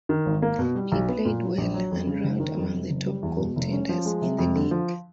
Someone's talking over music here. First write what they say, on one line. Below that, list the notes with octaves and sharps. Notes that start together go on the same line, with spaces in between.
He played well, and ranked among the top goaltenders in the league.
D#3
G#1
A#3
B2
G3
B1
B3
A#2
F#3
A#1
F#3
F2
C#3
F#1
D#3
F2
C3
F#1
G3
E2
B2
F1
C#4
F3
G#3
C3
F2
D3
F3